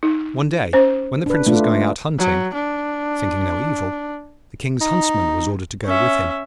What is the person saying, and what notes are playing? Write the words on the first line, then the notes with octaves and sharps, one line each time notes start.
One day when the Prince was going out hunting, thinking no evil, the King's Huntsman was ordered to go with him.
D#4
C#4 C5
D4 B4
A3 D4 F4
F#3
D4
D#4
C#4 E5